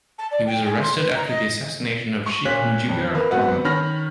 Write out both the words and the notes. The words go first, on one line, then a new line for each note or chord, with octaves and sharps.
He was arrested after the assassination of Sheikh Mujibur Rahman.
A5
D5
G5
G#4
C6
B4
A#5
D#5
C#6
A#2 C#4 F#6 B6 F#7
F2
A#3 B4
B3 C4 F#4 F#5
D#3 C#4 B5 F6 A#6